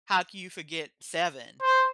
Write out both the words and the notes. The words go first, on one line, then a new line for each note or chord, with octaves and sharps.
how can you forget Seven?
C5